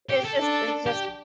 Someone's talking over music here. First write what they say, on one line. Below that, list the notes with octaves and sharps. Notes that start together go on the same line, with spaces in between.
it's just it's just
G4
A4
D4
G4